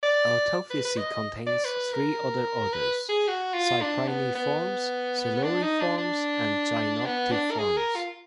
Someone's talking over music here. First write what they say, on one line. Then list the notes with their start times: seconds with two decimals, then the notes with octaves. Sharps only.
Otophysi contains three other orders, Cypriniformes, Siluriformes, and Gymnotiformes.
0.03 D5
0.70 B4
0.85 B4
0.97 D#5
1.11 D#5
1.47 D5
1.65 B4
1.93 A#4
2.73 B4
3.09 G#4
3.28 F#4
3.54 F4
3.81 D4
4.08 B3
4.35 B3
5.43 D4
5.62 D#4
5.80 D4
5.98 D4
7.06 B3
7.32 D4
7.51 A#4
7.59 G#4
7.77 A#4
7.95 F4